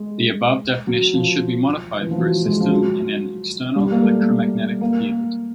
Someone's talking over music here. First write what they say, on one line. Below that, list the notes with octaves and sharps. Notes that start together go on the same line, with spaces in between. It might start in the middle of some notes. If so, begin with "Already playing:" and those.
The above definition should be modified for a system in an external electromagnetic field.
Already playing: G#3
F#3
F3
E3
F3
F#3
G#3
F3
F#3
G3
A#3
A3
A#3